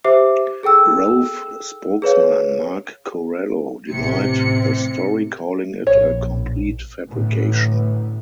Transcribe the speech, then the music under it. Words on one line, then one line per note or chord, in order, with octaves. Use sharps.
Rove spokesman Mark Corallo denied the story, calling it "a complete fabrication".
G4 C5 E5 D6 C7
G#4 A4 G5 E6
G#4 B4 C#5 F5
A1 C3 C#7
A#1 C#5
A1 A2 D3 E3 B3